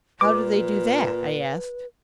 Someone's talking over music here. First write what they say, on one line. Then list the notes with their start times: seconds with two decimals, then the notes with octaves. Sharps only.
"How do they do that?" I asked.
0.21 A#2 B4 D6